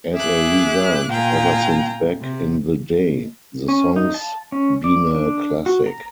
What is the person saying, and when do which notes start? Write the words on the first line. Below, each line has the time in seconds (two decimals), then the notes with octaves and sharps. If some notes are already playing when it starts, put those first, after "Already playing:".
As a result, ever since back in the day, the song's been a classic.
0.14 G#4 E5 D6 F#6
1.10 A#2 F5 G5 G#5 A#5
2.22 C3
3.68 C#4
3.96 D#4
4.14 A5
4.52 C#4
4.84 D5
5.15 D4
5.66 F#4
5.87 A#5